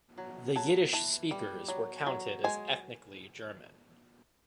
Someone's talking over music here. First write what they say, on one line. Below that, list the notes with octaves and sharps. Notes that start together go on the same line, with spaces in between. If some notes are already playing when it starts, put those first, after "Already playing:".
The Yiddish speakers were counted as ethnically German.
F#3
F#3 A5
E3 A5
G3
F#3
F#3
G#3 G#5